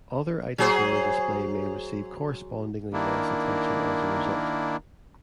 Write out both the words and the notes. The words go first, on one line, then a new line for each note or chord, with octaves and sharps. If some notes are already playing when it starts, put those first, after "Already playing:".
Other items in the display may receive correspondingly less attention as a result.
F#3 G#4 C5
D#3 A#3 D4 E4